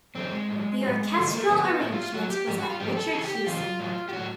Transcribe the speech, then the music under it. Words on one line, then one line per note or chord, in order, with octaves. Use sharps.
The orchestral arrangement was by Richard Hewson.
F#2 D3 F#3 C4
G#3
A2 F#3
A2 F#3
G2 D3 F3 A3
G#3
A#3
A3
G2 D3 F3 B3
B3
A2 F#3 E4
F4
F4
A2 F#3 F#4
G4
G#2 F3 G4
F#4
F4
G#2 F3 G4
A4
E2 C#3 G#4
G4
G4
E2 C#3 E3 F4
A2 F#3
G4
A2 F#3 F#4